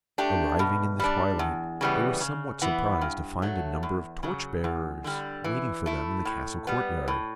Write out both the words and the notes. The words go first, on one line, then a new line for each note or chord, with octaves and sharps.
Arriving in the twilight, they were somewhat surprised to find a number of torchbearers waiting for them in the castle courtyard.
A3 D4 G4
B2
G3 D4
E2
C#3 E3 G3 B3
C#3
E3 B3
G2
F#3 A3
E2
C#3 F#3
E2
D3 G3
E3
A3 E4
A2
G3 B3
A2